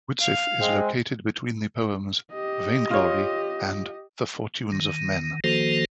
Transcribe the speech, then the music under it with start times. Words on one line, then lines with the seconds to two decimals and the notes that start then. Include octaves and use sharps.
Widsith is located between the poems "Vainglory" and "The Fortunes of Men".
0.21 F5
0.60 G#3 C4
2.33 G4 D#5
2.90 F4 C#5
4.72 D#3
5.44 D#3 F3 A#3 F#4 A4 C5